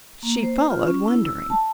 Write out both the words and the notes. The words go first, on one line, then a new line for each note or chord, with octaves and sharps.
She followed, wondering.
A#3
C5
F4
C#4
E4
E6
A5